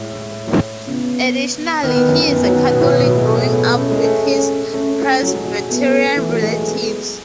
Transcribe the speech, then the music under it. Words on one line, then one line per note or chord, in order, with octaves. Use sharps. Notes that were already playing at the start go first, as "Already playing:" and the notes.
Additionally, he is a Catholic growing up with his Presbyterian relatives.
Already playing: A2 G#3
C#3 B3
D#3 B3
D#3
F#2
F#2
D#3 B3
F#3
D#3
B2
A2
B2
F#3
G#3
A3
B3
A3 C#4
G#3
A3
C#4
A3 C#4
F#3
G#3
F#3
A3 B3
E3 A3
F#3
G#3
A3
G#3 B3